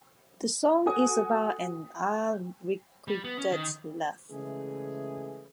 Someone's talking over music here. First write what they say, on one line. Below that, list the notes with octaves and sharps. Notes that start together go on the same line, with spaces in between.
The song is about an unrequited love.
F#4 A4 G#5 D#6
G3
B3
C#4
D#3
C#3 E3 G#3 A3 G#4